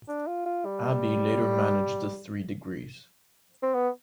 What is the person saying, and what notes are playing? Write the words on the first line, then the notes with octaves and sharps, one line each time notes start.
Abbey later managed The Three Degrees.
D4
F4
F4
G3
C4
B3